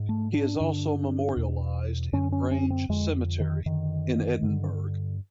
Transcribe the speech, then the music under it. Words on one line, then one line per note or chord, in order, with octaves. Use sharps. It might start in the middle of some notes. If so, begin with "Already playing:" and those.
He is also memorialised in Grange Cemetery in Edinburgh.
Already playing: G#2
A3
D4
G2 D3
E2 B2
F#2 D3 C#4
C#4
C#4
C4
F2 D3 G#3
D#3
F#2 D3 D#3
G2 D3